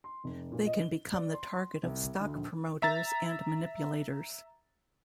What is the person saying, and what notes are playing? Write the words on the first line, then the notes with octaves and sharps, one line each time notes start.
They can become the target of stock promoters and manipulators.
C6
F1
A#2
D#5
G7
D5
C6
C2
D2
A#1
E5 A#5 A6